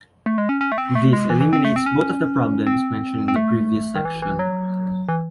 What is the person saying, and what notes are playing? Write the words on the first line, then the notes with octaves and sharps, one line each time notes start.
This eliminates both of the problems mentioned in the previous section.
A3
G#3
C#4
C#4
A3
C4
A3
G#3
E3
E3
C4
A3
C4
C#4
C4
C4
A3
D#3
E3
E3
F#3
E3